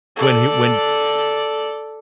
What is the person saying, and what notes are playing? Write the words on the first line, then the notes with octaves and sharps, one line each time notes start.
when he when
A4 D5